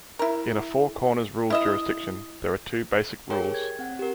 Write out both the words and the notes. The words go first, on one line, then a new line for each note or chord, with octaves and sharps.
In a Four Corners Rule jurisdiction, there are two basic rules.
E4 A#4
E4 D#5 E5
G4 G#4 A#4 C#5 G5
G#6
C4 F#5
G4 A#4